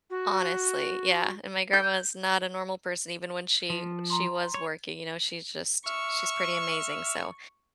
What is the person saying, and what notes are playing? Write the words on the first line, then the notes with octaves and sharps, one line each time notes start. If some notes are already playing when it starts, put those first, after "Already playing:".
Honestly, yeah, and my grandma is not a normal person even when she she was working, you know, she's just she's pretty amazing, so
F#4
G6
F3
A#5 C6
C#5
E5 C#6 E6 F6